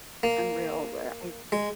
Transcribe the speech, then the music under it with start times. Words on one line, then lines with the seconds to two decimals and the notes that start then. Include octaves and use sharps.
unreal, where I
0.23 A#3
1.52 G#3